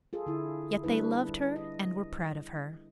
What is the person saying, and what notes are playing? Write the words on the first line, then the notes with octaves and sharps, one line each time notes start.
Yet they loved her and were proud of her.
F4 G#4 A4
D3 E4
G3 D4 E4 B4
D#5